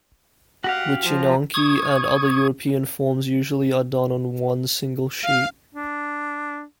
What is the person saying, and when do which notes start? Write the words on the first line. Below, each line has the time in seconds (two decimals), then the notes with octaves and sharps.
Wycinanki and other European forms usually are done on one single sheet.
0.64 F#4 G4 F5 F#5
1.04 F3
1.54 C#6 D#6 G#6
5.24 F5
5.75 D4